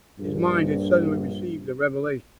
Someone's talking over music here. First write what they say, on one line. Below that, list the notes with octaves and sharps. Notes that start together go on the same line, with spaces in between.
His mind had suddenly received a revelation.
A#1 G2